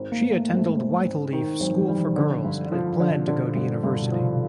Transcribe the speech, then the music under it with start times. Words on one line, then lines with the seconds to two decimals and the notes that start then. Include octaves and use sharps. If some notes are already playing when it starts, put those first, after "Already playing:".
She attended Whyteleafe School for Girls and had planned to go to university.
Already playing: G#1
0.12 A#3
0.21 G#1
0.30 A#3
0.40 A3
0.49 G#1 G#3
0.58 A3
0.77 G#1
1.05 G#1
1.33 D#3
1.61 G#1 F#3
1.71 F3
1.81 E3
1.88 F3 G3
2.16 D3
2.45 G2
2.72 F3
3.00 D3
3.28 D3
3.56 G2
3.84 G2 D3
4.02 B2
4.12 F3
4.21 C3